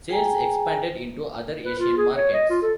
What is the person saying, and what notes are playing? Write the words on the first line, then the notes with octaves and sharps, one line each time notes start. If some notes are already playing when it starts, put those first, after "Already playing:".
Sales expanded into other Asian markets.
G#4 G5 G#5 A#5
B4
F4
G#4
C#5
D#5
F4
A4